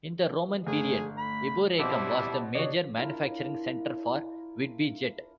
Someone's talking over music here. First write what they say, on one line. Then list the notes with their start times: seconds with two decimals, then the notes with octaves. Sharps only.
In the Roman period, Eboracum was the major manufacturing centre for Whitby Jet.
0.67 G1 A3 G#4
1.18 B5
1.79 B2 G3 C4 E4 A5 B5 D6
2.55 C#3 D4 F#4 C#5 D#5
2.97 D4 E4 F4 A#4